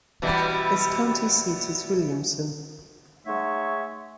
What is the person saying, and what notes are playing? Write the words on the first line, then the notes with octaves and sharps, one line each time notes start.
Its county seat is Williamson.
B2 E3 G3
G#3 A3 D#4 C#5 E5 F#5